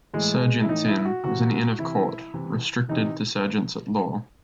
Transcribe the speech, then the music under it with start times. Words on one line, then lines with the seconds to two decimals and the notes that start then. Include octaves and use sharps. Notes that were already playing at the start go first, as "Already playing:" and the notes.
Serjeant's Inn was an Inn of Court restricted to Serjeants-at-Law.
0.14 A2 E3 G#3
0.63 E4
0.69 A2 E3 D#4
0.88 E4
1.05 F#4
1.24 C3 E3 F#4
1.79 C3 E3 E4
2.34 C3 E3
2.89 C3 E3 D#4